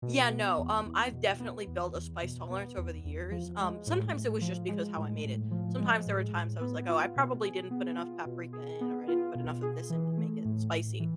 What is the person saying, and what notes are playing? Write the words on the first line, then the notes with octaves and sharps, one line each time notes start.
Yeah, no, um, I've definitely built a spice tolerance over the years, um, sometimes it was just because how I made it, sometimes there were times I was, like, "Oh, I probably didn't put enough paprika in or I didn't put enough of this in to make it spicy."
B2
B3
E2
E2
B2
B3
E2
E2
B2
B3
E2
E2
F3
G#3
A2
A2
F3
G#3
A2
A2
F3
G#3
A2
A2
B3
F4
B2
G#4
B3
F4
B2
G#4
B3
F4
B2
G#4
E3
A3
A2
A2
E3